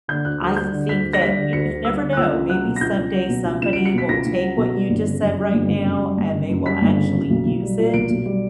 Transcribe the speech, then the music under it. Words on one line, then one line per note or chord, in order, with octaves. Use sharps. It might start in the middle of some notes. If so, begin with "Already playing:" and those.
I think that you you never know, maybe someday somebody will take what you just said right now, and they will actually use it
D3 G6
D2 F#6
D2
G3 G6
D3
D2 B6
D2
A#6
G3 B6
D3
D2 C#7
D2
G3 E6
D3
F#6
C#2 E6
C#2
F#3 F#6
B2
A#6
C#2 G6
C#2
F#3
B2
C#2
C#2 E7
F#3 D7
C#7
B2 B6
C#2 A#6
C#2
F#3
B2
G3
G1
C#3
F#2
G3
G1
C#3
F#2
G3
G1
C#3
F#2
G3 B6
G1
C#3
F#2
B1
B1
G3
A#2
B1 D7
B1
G3